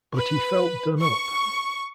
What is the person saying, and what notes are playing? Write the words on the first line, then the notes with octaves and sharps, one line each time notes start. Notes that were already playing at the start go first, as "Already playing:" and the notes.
But he felt done up.
B4
C#6